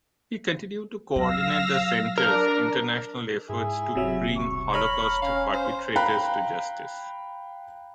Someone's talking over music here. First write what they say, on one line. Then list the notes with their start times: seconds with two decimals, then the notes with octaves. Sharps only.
He continued to coordinate the center's international efforts to bring Holocaust perpetrators to justice.
1.16 F#3 F5 E6 A#6
2.18 D4 A#4
3.49 G#2 E4 G#4
3.95 E1 C3 F#3 E5
4.37 C2 C#6
4.74 C#5 A#5 B5 F6
5.22 C#4 F5
5.54 C5
5.96 F5 G5 A#5 B5 F#6